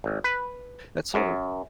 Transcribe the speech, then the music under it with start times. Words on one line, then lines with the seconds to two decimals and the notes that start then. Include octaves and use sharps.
that's sort of
0.04 G#1
0.24 B4
1.14 F#2